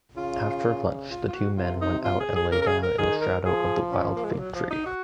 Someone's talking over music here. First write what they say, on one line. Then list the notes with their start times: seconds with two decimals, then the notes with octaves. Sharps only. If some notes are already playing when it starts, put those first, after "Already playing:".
After lunch the two men went out and lay down in the shadow of the wild fig tree.
0.17 C#3 F4
1.10 F4
1.28 F4
1.34 F#4
1.58 C3 F4
1.81 D#4
2.04 F4
2.20 G#4
2.36 G#4
2.51 C#3 A#4
2.62 A#4
2.67 G#4
2.83 A#4
2.98 D#3 G#4
3.22 A#4
3.45 F3 G#4
3.92 C#4
4.15 A#3
4.24 G#3
4.31 A#3
4.39 F#3
4.55 F3
4.70 D#4
4.86 F#4